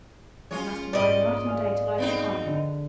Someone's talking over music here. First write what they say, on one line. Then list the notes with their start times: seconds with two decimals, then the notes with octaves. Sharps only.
I must ride night and day till I get home.
0.51 G#3 C#4 F4 C#5
0.93 G#2 D5 D#5 A6
1.46 G#4 F5
1.98 B3 C4 D#4
2.45 D3